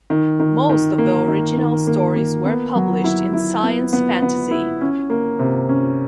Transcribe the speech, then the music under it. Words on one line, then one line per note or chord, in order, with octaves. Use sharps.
Most of the original stories were published in "Science Fantasy".
D#3
D#3
D#3
A#3
D#3
D#3
A#3
A#3
B3
F#3
E4
E4
B3
B3
B3
E4
C#4
A#3
C3
C#4